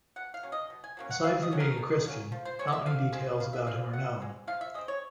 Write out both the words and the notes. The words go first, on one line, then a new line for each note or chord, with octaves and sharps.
Aside from being a Christian, not many details about him are known.
B2 F#5
F5
F#3 A#3 C#4
D#5
B2
G#5
F#3 A#3 C#4
F#5
B2 F5
D#5
F#3 A#3 C#4
A#4
B2
F#3 A#3 C#4
F3
C5
G#3 C4 C#5
D#5
E5
F3 F5
G#3 C4
F3 F5
E5
G#3 C4 F5
F3 F#5
G#3 C4
F3 F5
E5
G#3 C4 D#5
C#5